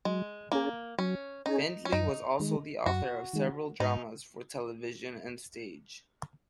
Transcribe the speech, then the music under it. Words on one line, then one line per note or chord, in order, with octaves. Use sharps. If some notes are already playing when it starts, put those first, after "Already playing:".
Findley was also the author of several dramas for television and stage.
F#3 G#3
A#3 C#4 G#4
F#3 C#4
C#4 D#4 G#4
C#4
F#2 D#4
D#3 G#3
F#2 F#4
D#3 G#3
G#2 D#4